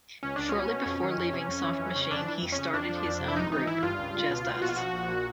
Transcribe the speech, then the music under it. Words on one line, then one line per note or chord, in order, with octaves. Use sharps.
Shortly before leaving Soft Machine he started his own group, Just Us.
C#2 C#4
C#2 D4
B2 C#4
B2
F2
D#3
F2
C3
F2
E3
F2
C#3
F2 D4
E3
F2
C#4
C#3
F2 D4
F3
F2
C3
E4
G#1 D#4
E3 D#4
G#1 E4
G2 F4
C#2
C#2
B2
B2
A#1 F#4
F4
F3 F#4
A#1
A#2